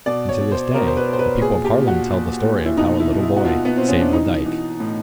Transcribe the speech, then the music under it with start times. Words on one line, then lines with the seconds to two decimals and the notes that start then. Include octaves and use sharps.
And to this day the people of Haarlem tell the story of how a little boy saved the dike.
0.06 B2 D5
0.29 C#5
0.40 B2
0.52 C5
0.74 B2 A#4
0.87 C5
0.97 B4
1.08 B2 C5
1.19 B4
1.41 A#2 G#4
1.64 G4
1.76 A#2
1.88 F#4
2.09 A#2
2.43 A#2
2.66 E4
2.77 B2 D#4
3.00 E4
3.11 B2
3.23 E4
3.36 F#4
3.44 B2 F4
3.65 B3
3.77 B2 C4
3.88 C#4
4.00 D4
4.12 E3 D#4
4.46 E3
4.80 A2